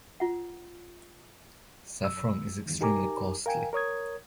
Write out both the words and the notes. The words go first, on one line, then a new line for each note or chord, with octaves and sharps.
Saffron is extremely costly.
F4 F#5
F#2 E6
E2 G2 D#3
D#4 G4 A#4 G#5 A#5 D6
A#4 F5 G5 G#5
A#4 C#5 D#6 G#6